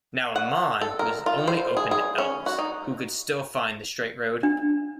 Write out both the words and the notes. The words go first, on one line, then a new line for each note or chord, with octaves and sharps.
Now Aman was only open to Elves, who could still find the Straight Road.
F#5
A4
A#4
F4
C5
G#4
G#4
C#4
F#4
D#4
D4